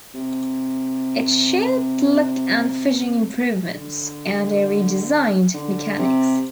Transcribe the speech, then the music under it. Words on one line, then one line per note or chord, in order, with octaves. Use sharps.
It showed look and finishing improvements, and a redesigned mechanics.
C3
D3
D3
C3